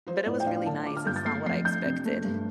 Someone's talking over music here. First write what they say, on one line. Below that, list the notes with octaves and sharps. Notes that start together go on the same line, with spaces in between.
but it was really nice, it's not what I expected.
F4 C5
A2 D5
G5
D4 F5
D3 A5
F4 D6
F6
G2 G6
A6
A3 C7
F2 C7
D4 G6
C3
A3
G2